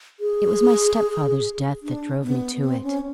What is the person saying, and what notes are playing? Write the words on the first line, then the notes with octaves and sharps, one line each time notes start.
It was my stepfather's death that drove me to it.
G#4
D4
B3
C4
C#4